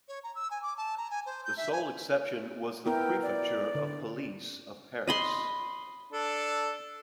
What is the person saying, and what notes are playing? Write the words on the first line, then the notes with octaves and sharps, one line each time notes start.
The sole exception was the Prefecture of Police of Paris.
C#5
A#5
E6
G#5
D6
A5
A#5
G#5
C5
G6
E5
G#5
B3 E4 A#4 G5
D5
D3
D#5 B5 C6
D4 A4